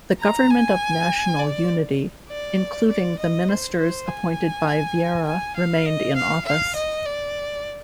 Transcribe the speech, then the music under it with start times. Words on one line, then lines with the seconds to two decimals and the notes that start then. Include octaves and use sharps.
The Government of National Unity, including the ministers appointed by Vieira, remained in office.
0.20 A#5
0.50 G#5
1.39 D5
2.29 D5
2.89 D5
3.19 D#5
3.48 C5
3.78 C5
4.07 G#5
5.27 G#5
5.56 F5
5.86 D#5
6.16 F5
6.45 F5
6.76 D#5
7.05 D5